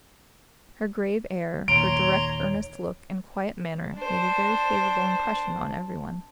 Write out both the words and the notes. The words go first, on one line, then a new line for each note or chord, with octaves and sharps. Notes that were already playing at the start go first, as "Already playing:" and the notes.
Her grave air, her direct earnest look and quiet manner made a very favorable impression on every one.
D#2 A#2 C#5 A#5 C6 D7
D4 C5